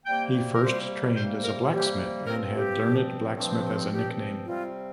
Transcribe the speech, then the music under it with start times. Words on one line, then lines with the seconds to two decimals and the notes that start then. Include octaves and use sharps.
He first trained as a blacksmith, and had "Learned Blacksmith" as a nickname.
0.06 C3 G3 A#3 G5
0.55 A#4
0.61 C3 G3 A#3 C5
1.16 C3 G3 A#3 C5
1.43 A#4
1.71 C3 G3 A#3 G4
2.26 G2 F3 C4 A#4
2.54 G4
2.82 G2 F3 C4
3.36 G2 F3 C4
3.91 G2 F3 C4 G4
4.46 C3 G3 C4 F4